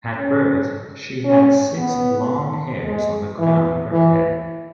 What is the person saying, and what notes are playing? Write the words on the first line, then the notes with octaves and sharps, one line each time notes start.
At birth, she had six long hairs on the crown of her head.
C#4
C#4
B3
G#3
E3
E3